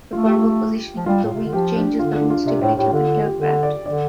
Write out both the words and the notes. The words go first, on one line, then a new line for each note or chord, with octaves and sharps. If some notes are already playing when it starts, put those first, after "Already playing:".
The vertical positioning of the wing changes the roll stability of an aircraft.
A3 F4
G4
F4
F3
G3 F4
A2
C3
D3
F3 G4
D4
D3 F4
D4
F4
C3 D5
A2 C5
A2 G4
D3 F4
F4
G4
D3 A4
D5
D3 D5